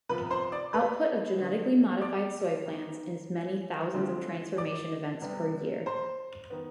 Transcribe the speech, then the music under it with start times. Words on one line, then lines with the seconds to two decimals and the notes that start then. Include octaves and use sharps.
Output of genetically modified soy plants is many thousands of transformation events per year.
0.09 C3 F3 B3 B4 B5
0.31 C5 C6
0.52 D5 D6
0.73 B4 B5
1.38 D3 G3 B3
2.02 D5 D6
2.66 D#3 B3
3.94 D3 F3 G#3 C4
4.58 D5 D6
5.22 C3 G3 B3
5.86 C5 C6
6.50 D#3 B3